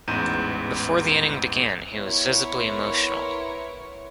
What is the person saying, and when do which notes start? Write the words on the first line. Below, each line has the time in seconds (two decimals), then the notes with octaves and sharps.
Before the inning began, he was visibly emotional.
0.08 A1 E2 G#2 G6 D#7 E7
1.90 B3 E4 A#4 C#5 C6 C#6